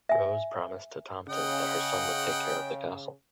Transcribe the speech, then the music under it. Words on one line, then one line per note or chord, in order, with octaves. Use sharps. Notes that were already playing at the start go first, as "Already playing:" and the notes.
Rose promised to Tomten that her son would take care of the castle.
E5 G#5
C#3 D#5 F#5 G5